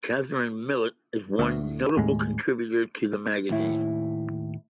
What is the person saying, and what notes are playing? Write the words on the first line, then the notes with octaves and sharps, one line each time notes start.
Catherine Millet is one notable contributor to the magazine.
D2
D#2 A2 G#3
D#2 A2 E4